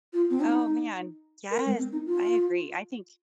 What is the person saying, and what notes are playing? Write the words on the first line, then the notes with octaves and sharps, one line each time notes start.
Oh, man, yes, I agree, I think,
F4
C4
D#4
A#4
G#3
C4
D#4
F4